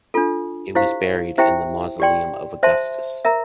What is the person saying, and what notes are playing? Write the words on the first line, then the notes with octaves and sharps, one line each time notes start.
It was buried in the Mausoleum of Augustus.
D4 F4 A4
E4 G4 C5 F5
E4 G4 C5 E5 G5
G4 D5 G5 C6
C5 E5 A5 C6
A#4 E5 A#5